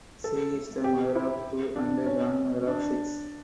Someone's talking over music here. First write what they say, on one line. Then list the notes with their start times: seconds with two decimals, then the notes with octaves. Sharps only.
She is the mother of two and grandmother of six.
0.24 A4
0.84 G4
1.15 E4
1.76 D4
2.06 C#4
2.67 D4